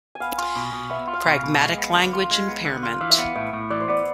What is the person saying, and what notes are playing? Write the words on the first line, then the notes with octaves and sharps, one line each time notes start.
Pragmatic language impairment.
G#5
B3 F5
F4
B2
B2
B3 E5
F4
F5
B2
F5
B2
G#3
B3
D3
F4
G#3
B3
D3
F4
E3 F5
E5
B3 F5
A2 E5
A2
E3 D5
C5
B3 D5